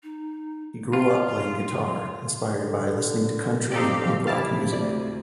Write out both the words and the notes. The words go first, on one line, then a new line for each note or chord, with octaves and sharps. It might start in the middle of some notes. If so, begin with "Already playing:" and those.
He grew up playing guitar, inspired by listening to country and punk rock music.
D#4
F4
D3
C4 D#4 G4 A4 D5 F5
C3 E4 F5 A5 D6
D2 D5